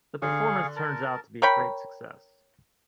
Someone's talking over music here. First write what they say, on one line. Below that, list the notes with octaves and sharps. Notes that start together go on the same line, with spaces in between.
The performance turns out to be a great success.
D3 G#4 F5 C#6
A#4 A5
A#4 C#5 G5 B5